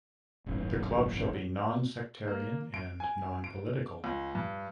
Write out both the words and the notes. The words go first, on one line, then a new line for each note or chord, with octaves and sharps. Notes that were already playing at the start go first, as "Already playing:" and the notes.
The club shall be non-sectarian and non-political.
D#1 G#1 F#2 A2
A#3
D7
G#5
D7
C#2
G2